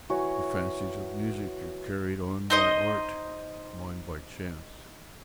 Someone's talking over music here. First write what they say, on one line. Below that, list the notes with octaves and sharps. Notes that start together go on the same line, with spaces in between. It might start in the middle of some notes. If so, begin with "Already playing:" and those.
The fancies of music are carried on by art; mine by chance.
E3 F#4 C#5 B5
D#4 C5 D#5